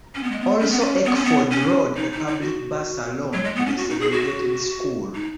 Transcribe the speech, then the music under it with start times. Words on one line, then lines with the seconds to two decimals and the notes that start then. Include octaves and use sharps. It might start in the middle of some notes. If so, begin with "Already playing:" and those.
Also, Eckford rode a public bus alone to the segregated school.
0.15 C#4
0.23 B3
0.31 G#3
0.40 B3
0.60 C#4
0.71 B3
0.80 C#4
1.05 B3
1.15 C#4
1.25 B3
1.51 C#4
1.97 D#4
2.12 D#4
2.27 D#4
2.42 F#4
3.33 F#3
3.44 G#3
3.55 B3
3.67 C#4
3.78 F#4
3.90 D#4
4.01 G#4
4.12 F#4
5.15 D#4